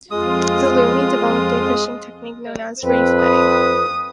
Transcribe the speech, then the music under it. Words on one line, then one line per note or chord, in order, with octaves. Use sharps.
The Lummi developed a fishing technique known as reef netting.
F2 G#3 F4 D#6
F2 C4 B4
D#6